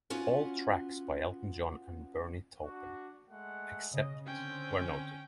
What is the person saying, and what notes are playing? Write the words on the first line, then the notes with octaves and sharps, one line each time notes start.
All tracks by Elton John and Bernie Taupin, except where noted.
B3 C#4 F4 F#4
D4 F#4
G#3 A3 F#5
C#3 D#5
D3 C4 C#4 G5